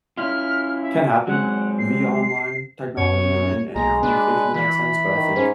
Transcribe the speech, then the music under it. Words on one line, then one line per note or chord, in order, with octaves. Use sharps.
can happen via online technology and and and communication, in that sense, but I think
C#4 E4 F4 F6
E5
F#3 G#3 C4 F#5
C7
F#2 C#5
B1 G#3 A#5
D4 B4
E3 B5
D#3
G#2 C#4